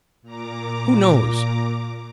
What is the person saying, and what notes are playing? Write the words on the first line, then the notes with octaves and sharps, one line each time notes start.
Who knows!
A#2 A#5 D6